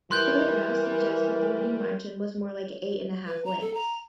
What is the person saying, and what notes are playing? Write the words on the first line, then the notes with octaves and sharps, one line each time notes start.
Photographs suggest that the winning margin was more like eight and a half lengths.
E3 G3 A#4 C6 F#6 G6
B4
A#5
A4
A#5